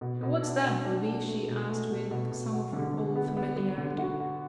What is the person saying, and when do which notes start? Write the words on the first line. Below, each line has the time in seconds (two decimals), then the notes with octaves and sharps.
"And what's that, booby?" she asked, with some of her old familiarity.
0.01 B2
0.23 B2
0.43 D4
0.63 B2
0.85 D4
1.05 D4
1.27 A3
1.48 B2
1.68 A3
1.89 B2
2.11 B2
2.32 B2
2.53 F#4
2.73 D3
2.94 D3
3.16 B3
3.37 B3
3.56 B3
3.78 D3
3.98 F#4
4.20 F#4